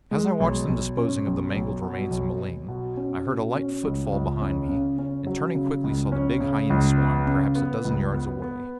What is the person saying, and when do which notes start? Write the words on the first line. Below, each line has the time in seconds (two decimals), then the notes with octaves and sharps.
As I watched them disposing of the mangled remains of M'ling, I heard a light footfall behind me, and turning quickly saw the big Hyena-swine perhaps a dozen yards away.
0.11 G#3
0.40 B1
0.68 B1
0.97 C#4
1.26 B1
1.55 B1
1.82 B2
2.11 B1
2.40 B1
2.68 B2
2.97 C#4
3.26 B2
3.55 C#4
3.84 C#2
4.12 C#2
4.41 C#4
4.69 C#3
4.98 C#4
5.27 F#3
5.55 C#3
5.84 C#2
6.12 C#4
6.40 C#3
6.70 C#2
6.98 B3
7.26 C#3
7.55 B3
7.85 C#2
8.13 B3
8.42 B3